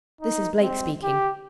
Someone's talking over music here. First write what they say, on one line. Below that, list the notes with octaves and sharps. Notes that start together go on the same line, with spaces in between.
This is Blake speaking.
D#4
C4
G4